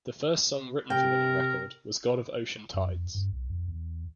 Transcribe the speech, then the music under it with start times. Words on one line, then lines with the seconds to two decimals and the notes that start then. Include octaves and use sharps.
The first song written for the new record was God of Ocean Tides.
0.90 C3 A#4 G5
2.74 F#2
2.88 F2
3.14 G2
3.32 B1
3.50 F2
3.68 E2